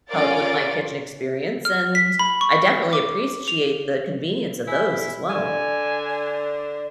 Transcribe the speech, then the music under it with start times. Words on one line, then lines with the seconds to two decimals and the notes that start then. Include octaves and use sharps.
help with my kitchen experience, and I definitely appreciate the convenience of those, as well.
0.11 C#4 F4 A#4 D5 A6 D7
1.65 F6
1.95 B6
2.19 B5
2.41 C#6
2.93 D6
3.48 F7
4.68 E4 G#5
5.30 D3 D5 G#5
6.09 D5